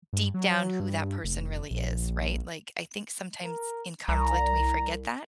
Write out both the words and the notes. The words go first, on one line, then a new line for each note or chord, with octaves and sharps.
deep down who that person really is, right? Like, I think sometimes in conflict we forget that
G2
F#3
G2
F1
A#1
A#4
C2 A#5